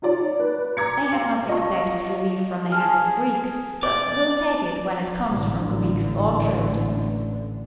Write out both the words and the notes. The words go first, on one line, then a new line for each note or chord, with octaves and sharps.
They have not expected relief from the hands of Greeks, but will take it when it comes from Greeks or Trojans.
D#4 F4 C#5 D5
B4
A#5 D6 G#6 C#7
F5
F4 D#5 F5 A5 C#6
G#4 A5 F6
D5 D6
A1 D3